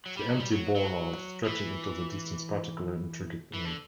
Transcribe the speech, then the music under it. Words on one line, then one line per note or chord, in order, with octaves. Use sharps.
The empty bollards stretching into the distance particularly intrigued him.
F#3
G3
F#3
G3
F#3
F#3
E3
E3
D3